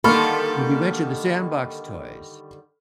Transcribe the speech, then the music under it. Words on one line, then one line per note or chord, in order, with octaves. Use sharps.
When you mentioned the sandbox toys,
D3 D#3 G3 A#3 A4 B5 C#6 F6